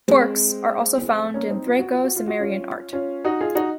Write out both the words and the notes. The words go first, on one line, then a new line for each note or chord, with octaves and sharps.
Torcs are also found in Thraco-Cimmerian art.
G#3 C4
A#3 C#4
C4 D#4
F4
F#4
F4
F#4
F4
F#4
C#4 F4
C#4 F4
D#4 F#4
F4 G#4
D#4 F#4